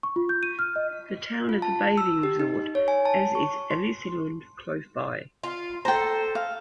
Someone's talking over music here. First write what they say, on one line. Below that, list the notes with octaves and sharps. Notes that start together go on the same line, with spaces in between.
The town is a bathing resort, as is Elisenlund close by.
C#6
F4
G6
D#7
F6
D#5
F4
A5
E6
G4
D#4
C#5
G#5
A5
C#6
C6
F4
A4 C5 G5 A#5
F5